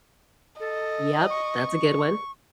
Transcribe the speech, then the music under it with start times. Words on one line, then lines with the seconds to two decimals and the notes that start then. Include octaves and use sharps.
Yep, that's a good one.
0.60 A4 D#5
1.30 C#6